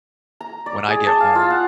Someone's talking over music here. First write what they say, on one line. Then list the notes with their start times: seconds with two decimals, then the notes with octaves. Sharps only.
when I get home,
0.41 A#5
0.66 D5
0.88 G#4
1.07 A5
1.20 F5
1.35 F4
1.50 F#5